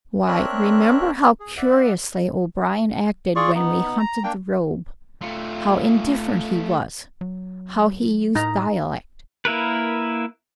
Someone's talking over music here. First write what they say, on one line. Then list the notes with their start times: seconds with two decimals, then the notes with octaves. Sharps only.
"Why, remember how curiously O'Brien acted when we hunted the robe--how indifferent he was--how he used dialect!"
0.28 C4 D4 A#4 C#5 E5 F#6
1.40 G#4
1.57 D5 E5 F#5
3.36 F4 G#4 D5 C#6
3.55 B3 D#4
4.00 A#5
4.24 A#3 D4 G5
5.21 A3 F4
7.21 F#3
8.35 A2 D#4 A#5
9.45 A#3 E4 A#4 B4